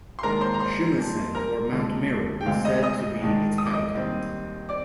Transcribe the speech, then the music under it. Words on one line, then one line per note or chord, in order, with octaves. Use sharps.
Shumisen or Mount Meru is said to be its habitat.
C6
D#2 D#3 G#3 D4 A#4 A#5
C5 C6
A#5
C5 C6
A#2 G3 D4
A#4 A#5
D#2 D3 F3 G#3 D4
G5
D2 D3 G#3 C4 F5
D#5 D#6
D#5 D#6
G#2 D#3 G#3 D4
D#6
D6
D#5 D#6
D#2 D#3 G3 C4
C4 D5 D6